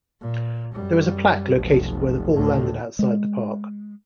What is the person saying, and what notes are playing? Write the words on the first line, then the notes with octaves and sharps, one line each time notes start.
There is a plaque located where the ball landed outside the park.
A#2
F#2 G3
F1 B1
D2 A2
G#3